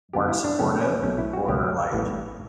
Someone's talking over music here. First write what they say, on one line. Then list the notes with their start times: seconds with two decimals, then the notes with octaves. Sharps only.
weren't supportive, or like,
0.13 F#2 D3 G3 B3 G4
0.29 E4
0.44 D4
0.59 F#2 C#3 F#3 B3 C#4
0.81 C#4
1.03 B1 B2 A3 C#4
1.18 E4
1.33 F#4
1.47 C#2 B2 F#3 A3 G4
1.93 A1 A2 G3 B3 B4